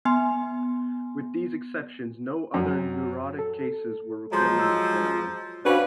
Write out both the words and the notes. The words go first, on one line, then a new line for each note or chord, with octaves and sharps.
With these exceptions, no other neurotic cases were recorded in the family.
B3 G#5 C6
F#2
A4
F3 F#3 G#3 A#5 C6 G6
E6
C#4 D4 F#4 G4 B4 C5 F5